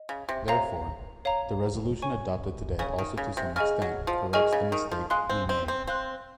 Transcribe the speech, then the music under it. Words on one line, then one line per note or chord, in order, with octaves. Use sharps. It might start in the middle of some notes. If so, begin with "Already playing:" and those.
Therefore, the resolution adopted today also to some extent corrects the mistake we made.
Already playing: D#5
C#3
C3
C3 C#5 F5 A#5
C#5 F5 A#5
C#5 G#5 C#6
C#3 C#5 G#5 C#6
D#3
C#3
C3
C#3 G#4 D#5 G#5 C#6 F6
F#3
F3
D#3 G#4 D#5 G#5 C#6 F6
C#3
D#3
F3
G#3 F5 C6 F#6
C4
C4
C4
C4 F5 C6 F#6